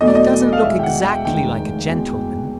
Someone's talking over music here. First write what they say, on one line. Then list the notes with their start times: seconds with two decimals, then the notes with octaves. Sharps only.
"He doesn't look exactly like a gentleman."
0.01 E2 B2 F#3 A3 D#5
0.08 D5
0.15 D#5
0.53 F5
0.62 E2 B2 G#3 E5
0.79 G5
0.83 F#5
1.04 G5
1.25 F1 D#2 D#3 G#3 G5
1.87 E2 B2 G#3